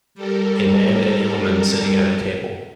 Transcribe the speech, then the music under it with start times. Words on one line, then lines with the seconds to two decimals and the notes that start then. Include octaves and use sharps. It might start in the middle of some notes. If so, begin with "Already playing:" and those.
A man and a woman sitting at a table.
0.15 G3 A4 A#4